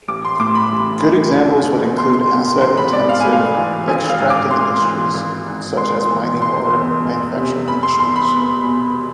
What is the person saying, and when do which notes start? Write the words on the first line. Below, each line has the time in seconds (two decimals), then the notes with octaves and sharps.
Good examples would include asset-intensive extractive industries such as mining, or manufacturing industries.
0.08 A1 D6
0.25 C6
0.39 A2 D6
0.55 B5
0.72 A1
1.02 E3
1.35 F1
1.66 E2
1.98 B3 C6
2.30 B2
2.61 A1 C6
2.77 B5
2.92 G#2 D5
3.09 F5
3.20 A3 G#5
3.33 F5
3.57 E3
3.88 G#1 G#5
4.09 F5
4.20 G#2
4.30 D6
4.51 G#1 C6
4.83 E3
5.14 G#1
5.46 G#2
5.77 G#1 C6
6.10 E3
6.40 F1 C6
6.73 E2
7.05 F1
7.36 C3
7.68 F1 B5
7.83 C6
7.99 E2 C6
8.16 B5
8.32 B3
8.63 B2